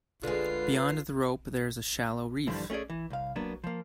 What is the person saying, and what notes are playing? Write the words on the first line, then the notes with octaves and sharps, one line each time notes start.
Beyond the rope there is a shallow reef.
D3 G#3 F4 B4 C7
G2 D3 E3 F3 G3
A3 C#4 F4 G#4 D5
E3
C2 F5
F#3 A#3 B3 D4
F3 A#3